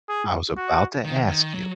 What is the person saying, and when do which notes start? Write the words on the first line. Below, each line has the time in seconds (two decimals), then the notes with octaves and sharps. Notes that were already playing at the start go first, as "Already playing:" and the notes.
I was about to ask you.
0.09 G#4
0.57 F#4
1.04 D#3
1.28 D#3
1.53 F#3